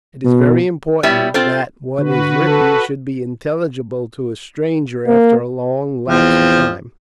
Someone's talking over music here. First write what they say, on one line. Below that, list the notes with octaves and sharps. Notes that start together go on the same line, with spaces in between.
It is very important that what is written should be intelligible to a stranger after a long lapse of time.
B2
G3 B3 E4 C#5 E5
C4 F4 A4 C5
D3 F#4 B4
A4
A#3
E2 F3 C4